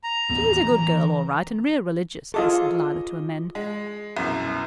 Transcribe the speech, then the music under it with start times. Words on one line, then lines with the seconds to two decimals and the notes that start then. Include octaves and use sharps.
"She is a good girl all right and real religious," hastened Lila to amend.
0.04 A#5
0.29 A1 D#2 B3
0.71 E3
2.34 F4 G#4 A4 D#5 D6
3.55 G#3
4.17 C2 F#2 B2